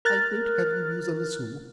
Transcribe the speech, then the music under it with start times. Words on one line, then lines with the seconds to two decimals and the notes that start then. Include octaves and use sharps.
I won’t have you use a lasso.
0.05 A#4 F6 F#6 A6